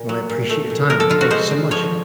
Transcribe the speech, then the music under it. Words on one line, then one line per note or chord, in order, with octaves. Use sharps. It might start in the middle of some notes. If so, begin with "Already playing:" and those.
Well, I appreciate your time. Thank you so much.
Already playing: A#2
F#3
A#2
A3
A#2
F3 A#4
A4
D3 F4
F#4
G#3 C5
D3
F3 C#5